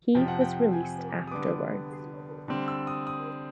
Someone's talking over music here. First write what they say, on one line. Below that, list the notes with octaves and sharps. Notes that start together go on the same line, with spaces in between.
He was released afterwards.
F2 C3 F3 G5
F#5
G5
G#5
D#6
D3 G3 B3 D6
D3 G3 C4
E6
D#6
D#6